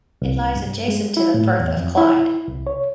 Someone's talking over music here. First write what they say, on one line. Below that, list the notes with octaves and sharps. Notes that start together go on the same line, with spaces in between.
It lies adjacent to the Firth of Clyde.
C2
G2
G#3
E4
A2
E2
F2
E4
C2
C#5